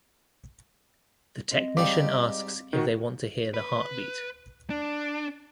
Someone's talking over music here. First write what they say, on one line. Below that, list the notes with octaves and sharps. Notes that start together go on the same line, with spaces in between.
The technician asks if they want to hear the heartbeat.
C4 D#5
G#2 G3 G4 F5 D6
D#3 F#4
B4
D4